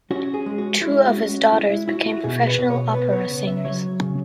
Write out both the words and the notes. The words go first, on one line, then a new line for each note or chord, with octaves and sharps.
Two of his daughters became professional opera singers.
C#4 F#4
G#4
G#3
F#4
G#3 E4
F#4
C#4
F#4
G#3 E4
E4
E4 F#4
F#4
B2 G#4
B4
B2
C#5
B3 B4
C#5
C#3
E5
F#3 C#5
C#3